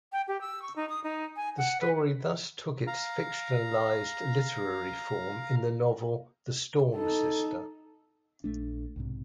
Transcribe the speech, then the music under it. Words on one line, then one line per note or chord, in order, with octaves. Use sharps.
The story thus took its fictionalized literary form in the novel "The Storm Sister".
G5
G4
E6
C#6
D#4
D#6
D#4
G#5
F#5
B4
F5 A#5
D#4 A4
A#1 A3 D4
B1 G#2 C3